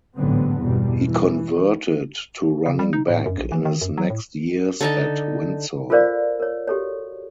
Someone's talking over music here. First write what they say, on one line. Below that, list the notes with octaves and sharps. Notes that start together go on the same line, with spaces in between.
He converted to running back in his next years at Windsor.
A1 G#2 D3 F#3 B3 C4
G1 E2 B2 G3
E3
C#3
G3
D#4
A2
F#2
A#1
E3
D#3
F#2
F#3
A2
D3 D#4 A5
F4 A4 A#4 C5 D5 F5
A#4 C#5
F#4 G4 A4 C#5